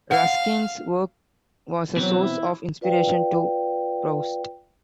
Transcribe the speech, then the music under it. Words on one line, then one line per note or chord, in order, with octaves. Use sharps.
Ruskin's work was a source of inspiration to Proust.
F5 F#5
B2 E3 F#3 C4
E4
F4 B4 D5 F5 G5